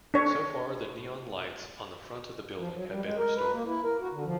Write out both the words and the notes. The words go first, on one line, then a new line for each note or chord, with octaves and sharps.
So far the neon lights on the front of the building have been restored.
D4 C#5
F3
F#3
G3
G#3
A#4
B4
A#3
E4
A#4
F#4
D3
F3